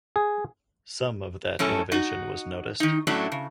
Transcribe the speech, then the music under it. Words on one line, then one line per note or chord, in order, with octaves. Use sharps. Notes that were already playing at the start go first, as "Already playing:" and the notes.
Some of that innovation was noticed.
G#4
F#2 A2 C#4 A4
D#4 F#4
D#3 D#4
A2 F#3 A3 C#4 D4
C#3